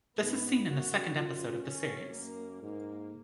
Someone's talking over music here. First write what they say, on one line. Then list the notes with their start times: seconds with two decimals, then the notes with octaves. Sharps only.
This is seen in the second episode of the series.
0.18 G#2 B3
0.67 F#2 F#4
1.16 F#2 F4
1.64 F#2 C#4
2.13 A#3
2.61 G#2 A#3